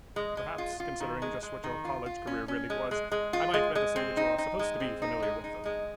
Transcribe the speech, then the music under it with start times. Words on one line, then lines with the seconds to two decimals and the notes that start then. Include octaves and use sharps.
"Perhaps, considering just what your college career really was, I might better say that you are supposed to be familiar with them."
0.16 G#3
0.37 G#3
0.58 F4
0.80 F4
1.00 D#3
1.22 G#3
1.43 G#3
1.64 D#3
1.85 F4
2.06 F4
2.27 C#4
2.48 C#4
2.70 G#3
2.91 G#3
3.12 G#3
3.33 F4
3.54 G#3
3.75 G#3
3.96 C4
4.17 D#4
4.38 D#4
4.59 G#3
4.80 C4
5.02 D#4
5.22 G#3
5.44 D#4
5.65 G#3